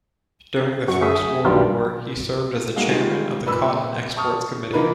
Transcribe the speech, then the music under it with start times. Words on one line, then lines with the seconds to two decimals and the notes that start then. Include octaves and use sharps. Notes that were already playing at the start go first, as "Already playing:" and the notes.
During the First World War he served as Chairman of the Cotton Exports Committee.
0.88 F#2 F#4 C#6
1.02 A3 G#4 E5
1.45 B1 G2 D#3 F#3 G3 F4
2.76 G#3 A#3 F#4 G#4 F5
2.89 D#3 G3 G#3 F4
3.46 A#2 B4 E6
4.16 A5 C#6 D#6 F6
4.73 E3 D#4 F4 A#4 B4